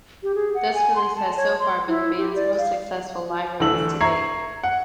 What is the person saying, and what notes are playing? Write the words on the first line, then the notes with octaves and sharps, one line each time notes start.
This release has so far been the band's most successful live release to date.
G4
G#4
F#5
G#5
C6
A5
C#5
C6
E4
G4
D5
F5
D2 E3 A4 E6 F#7
E5 A#5 C#6 G#6 C7
F#5